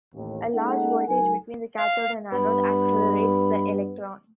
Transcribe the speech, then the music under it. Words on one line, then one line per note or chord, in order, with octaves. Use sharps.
A large voltage between the cathode and anode accelerates the electrons.
A1 D#2
G#3 A#3 C#4 D#4 A4 F#5
F#1 F#3 D#4 A#4 G#5
F5
G2 B3 B5